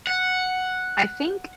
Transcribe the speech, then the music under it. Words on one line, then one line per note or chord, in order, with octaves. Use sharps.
I think
F#5